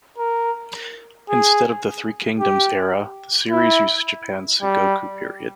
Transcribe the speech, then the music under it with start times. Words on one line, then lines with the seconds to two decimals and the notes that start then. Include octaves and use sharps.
Instead of the Three Kingdoms era, the series uses Japan's Sengoku period.
0.18 A#4
1.30 G#4
2.40 G4
3.51 E4
4.62 G3